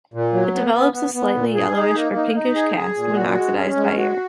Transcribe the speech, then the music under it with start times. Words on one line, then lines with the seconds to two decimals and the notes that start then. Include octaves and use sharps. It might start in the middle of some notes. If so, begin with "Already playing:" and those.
It develops a slightly yellowish or pinkish cast when oxidized by air.
0.14 A#2
0.33 F#3
0.54 B3
0.75 B3
0.94 B3
1.14 B3
1.35 A#2
1.55 G#4
1.75 D#4
1.95 A#3
2.15 D#4
2.35 D#4
2.55 G#4
2.76 G#4
2.96 A#2
3.16 F#4
3.36 G#3
3.56 C#4
3.76 G#3
3.97 F#4